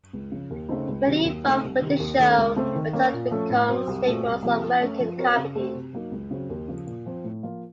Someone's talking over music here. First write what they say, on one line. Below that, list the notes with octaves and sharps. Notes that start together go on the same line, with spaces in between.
Many involved with the show went on to become staples of American comedy.
C#2
C#3 F3
D#2
C#3 A3 C4 D#4
C#2
C3 D#3 F#3 C4
D#2
C#3 A3 C4 D#4
C2
C3 D#3
D#2
D#3 A3 C#4 A4
C#2
C#3 A3 C4
D#3
A#3 C#4
A#2
F3 A3 C#4 A4
A2
F#3 C4
C2
A#2 A3 C4 F#4
C2
C3 F3 A#3
F3
A3 C#4
F3
C4 F#4 A#4 C#5
C#3
A3 C4 F#4
C3
F#3 A#3 D#4
C#2
C#3 F#3 C4
D#2
C#3 F3
A#2
F3 C4
A2
F3 A#3 F4